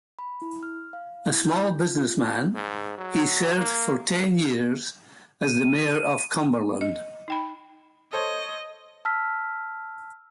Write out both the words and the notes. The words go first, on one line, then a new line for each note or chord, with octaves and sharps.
A small businessman, he served for ten years as the Mayor of Cumberland.
B5
E4
F6
F5
E4
G6
F4
G#2
F#3
A#3
D#7
D#5
D#4 G5 B5
A4 C5 C#5 D#5
A5 E6 F6 B6